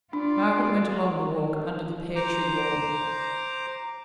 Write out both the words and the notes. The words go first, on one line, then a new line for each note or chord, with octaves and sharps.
Margaret went along the walk under the pear-tree wall.
D4 F4 D5
C5 A#5 D6